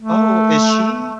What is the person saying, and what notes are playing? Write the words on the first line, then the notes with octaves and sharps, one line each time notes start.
Oh, is she
A3